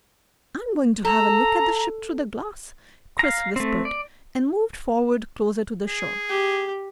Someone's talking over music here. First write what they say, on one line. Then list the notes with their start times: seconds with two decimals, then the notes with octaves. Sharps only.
"I'm going to have a look at the ship through the glass," Chris whispered, and moved forward closer to the shore.
1.05 A4 A#5
3.19 F5 A#5
3.56 A3 C4
3.85 D5
5.87 G#4
6.29 G4